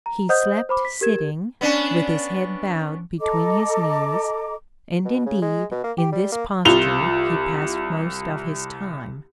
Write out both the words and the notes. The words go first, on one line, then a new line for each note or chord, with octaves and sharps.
He slept sitting, with his head bowed between his knees, and, indeed, in this posture he passed most of his time.
A#5
C5 D#5 F#5 D#6 G6
C5 B5 D6
B6
G4 A#4 G#6 E7
B3 C#4 D4
A4 D#5 A#5 D6
B2
C#3
G#3
B2
A#3
G4
G3
A#3
C2 F4 F7 G7